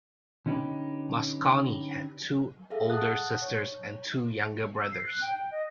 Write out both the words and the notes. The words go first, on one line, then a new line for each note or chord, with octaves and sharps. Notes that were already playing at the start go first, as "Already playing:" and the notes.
Mosconi had two older sisters and two younger brothers.
D3 C#4 D#4 G4 B4
G#4 A4 E5 F5
F#5 A5 D#6 F#6
C#5
E6
C7
F#6
G5
G5
D#5